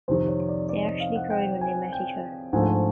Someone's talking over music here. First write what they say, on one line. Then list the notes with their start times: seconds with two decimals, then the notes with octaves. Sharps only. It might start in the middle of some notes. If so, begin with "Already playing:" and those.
They actually cried when they met each other.
0.08 F2 C3 D#3 C5
0.28 C#5
0.48 D5
0.69 D5
0.85 D#5
1.00 F5
1.16 F#5
1.30 G5
1.61 G#5
1.92 G5
2.53 G#2 F3 A3 D4 G#5